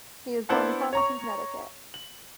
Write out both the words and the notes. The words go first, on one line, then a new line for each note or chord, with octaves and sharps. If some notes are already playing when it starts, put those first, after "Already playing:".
He was born in Farmington, Connecticut.
B3 D4 E4 C5 F#5 A5
C#5 A#5 C#6
F#7